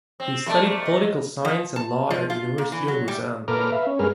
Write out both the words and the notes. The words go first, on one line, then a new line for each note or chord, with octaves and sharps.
He studied political science and law at the University of Lausanne.
C4
F2 A#2 A3 A4 D5
D#5
F3
A5
F3
F4
A#2
E3
F#3
G3
A#2 A4 B4 A#5 D6 F6
B4 E5 F5
C#4
G2 G#3 G#4 A#4 B4 F6